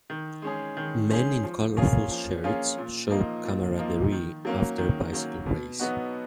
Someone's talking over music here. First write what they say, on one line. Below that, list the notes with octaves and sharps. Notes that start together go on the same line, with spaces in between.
Men in colorful shirts show camaraderie after a bicycle race.
D#3
G#3 C#4 G#4
D#3
G#3 C#4 G#4
F3
A#3 C#4 F4 G#4
F3
A#3 C#4 F4 G#4
A#2
F3 A#3 D#4
A#2
F3 A#3 D#4
D#3
F#3 A#3 C#4
D#3
F#3 A#3 C#4
B2
F#3 B3 D#4 F#4